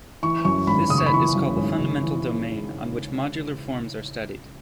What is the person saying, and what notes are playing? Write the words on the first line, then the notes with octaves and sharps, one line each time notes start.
This set is called the fundamental domain on which modular forms are studied.
E3 C#6
F#2 C#6
G#1 B5
C#3 D#6
C#6
B5
E3 C#6
F#2
G#1
C#3
E3